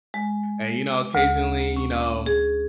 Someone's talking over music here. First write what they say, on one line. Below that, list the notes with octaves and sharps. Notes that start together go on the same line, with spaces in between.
and, you know, occasionally you know,
G#3
D2
C#4
G#4